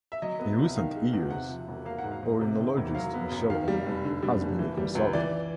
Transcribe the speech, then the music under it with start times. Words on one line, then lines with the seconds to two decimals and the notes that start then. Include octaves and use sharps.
In recent years, oenologist Michel Rolland has been a consultant.
0.12 E5
0.22 F#3 D#5
0.39 B3
0.59 C2
0.76 D#3 F5
0.95 G#3
1.13 E2
1.31 C3 F#5
1.49 F3
1.68 E1
1.85 A#3 F5
1.98 F#5
2.04 G#2
2.12 F5
2.23 G#2
2.41 C3
2.58 D#3
2.77 E1
2.95 F#3 F5
3.14 B3
3.31 F#2
3.50 D#3 F5
3.68 G3
3.87 F1
4.04 D3
4.23 G3
4.41 F#1
4.59 E3
4.77 G3
4.95 C#2
5.13 E3 D5